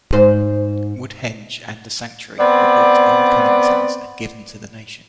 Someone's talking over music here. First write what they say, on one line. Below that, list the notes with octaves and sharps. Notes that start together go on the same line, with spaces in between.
Woodhenge and The Sanctuary were bought by the Cunningtons and given to the nation.
G#2 C5
B3 C4 D5